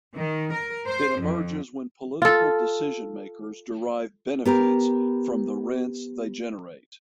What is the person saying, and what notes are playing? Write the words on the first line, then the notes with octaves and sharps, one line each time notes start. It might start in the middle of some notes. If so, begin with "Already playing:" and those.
It emerges when political decision makers derive benefits from the rents they generate.
D#3
A#4
C5
F2
F4 A4
B3 G4 A#4